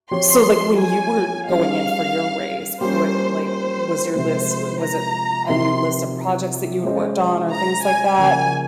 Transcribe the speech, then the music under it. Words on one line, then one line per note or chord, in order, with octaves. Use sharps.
So, like, when you were going in for your raise, what, like, was your list, uh was it an list of projects that you had worked on, or things like that?
F3 C4 G4 C#5 C6
G#5
G3 C#4 G#4 D#5 F5
G3 A#3 C#4 F4 C5
C5
C3 F3 G#3 C5
A#5
C3 F3 C4 D#4 A#4 C6
G#3 C#4 G#4 C5 D#5
A#5
G#5
C#3 F3 A#3 G#5